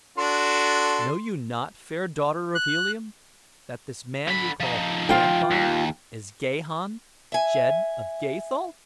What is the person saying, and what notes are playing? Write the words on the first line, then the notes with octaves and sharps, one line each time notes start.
"Know you not, fair daughter of Helium, that this man you call panthan is Gahan, Jed of Gathol?"
D4 F#4 A4 C6
F#6
D3 B5
F3 D#4
F4 G5
D#2
E5 G#5